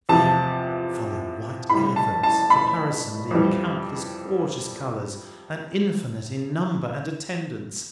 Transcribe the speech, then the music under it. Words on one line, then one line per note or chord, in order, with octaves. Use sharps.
Then, follow white elephants caparisoned in countless gorgeous colours, and infinite in number and attendants.
E2 C3 F3 A5
A2 G3 B5
A5
A5
B5
F2 E3 G3